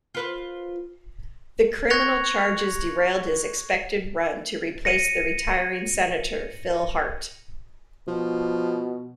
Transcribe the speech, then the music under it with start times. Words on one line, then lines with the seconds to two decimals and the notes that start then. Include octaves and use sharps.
The criminal charges derailed his expected run to replace the retiring senator, Phil Hart.
0.15 F4 B4 C5
1.90 C#6 F#6 G#6 A#6 C#7 F7
4.85 A#6 C#7 D#7
8.08 B2 F3